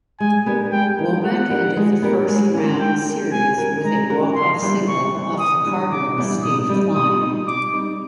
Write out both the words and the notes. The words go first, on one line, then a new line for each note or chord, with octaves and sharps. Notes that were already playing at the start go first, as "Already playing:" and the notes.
Womack ended the first-round series with a walk-off single off the Cardinals' Steve Kline.
G#3 G#5
B3 D4 G4 A#4
G#3 G5
B3 D4 G4 A#4
G#3 F#5
B3 D4 G4 A#4
G#3
B3 D4 G4 A#4
G#3
C#4 F#4 A#4
G#3 G5
C#4 F#4 A#4
G#3 G#5
C#4 F#4 A#4
G#3 A#5
C#4 F#4 A#4
C#3 C6
E3 G3 B3 D4
C#3 C#6
E3 G3 B3 D4
C#3 D#6
E3 G3 B3 D4
C#3 D6
E3 G3 B3 D4
B2 D#6
G3 C4 D#4
B2 D#6
G3 C4 D#4
B2 D6
G3 C4 D#4